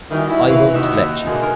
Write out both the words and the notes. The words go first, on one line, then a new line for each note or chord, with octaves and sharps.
I won't let you.
D#3 E3 G3 F#4
E4
G#2 C3 D#3 E3 F#4 F5
D#2 D#4 E5 F#5
B2 D3 G#3 A#3 G#4
A#4 C6